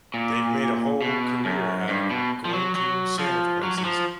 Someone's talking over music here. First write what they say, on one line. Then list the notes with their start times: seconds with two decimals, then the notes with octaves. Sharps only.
they've made a whole career out of going to sandwich places,
0.14 A#2
1.02 B2
1.45 F#2
1.88 G2
2.11 B2
2.45 F3
2.53 F#3
2.76 F#3
3.19 F3
3.63 F#3
3.78 F#3
3.84 F3